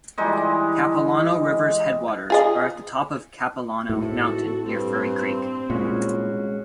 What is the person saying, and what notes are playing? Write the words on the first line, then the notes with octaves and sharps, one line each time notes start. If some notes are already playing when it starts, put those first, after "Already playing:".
Capilano River's headwaters are at the top of Capilano Mountain, near Furry Creek.
E3 G3 G#3 D#4
F4 G#4 D#5
G#1 A2 F#4 A4
G2 C4
C2 A#2 G#3 C#4 F#4